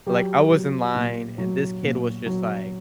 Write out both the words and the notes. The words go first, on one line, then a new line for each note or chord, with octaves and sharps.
like, I was in line, and this kid was just, like,
F#3 G4
F#3
A#2
F#3
A#2
F#3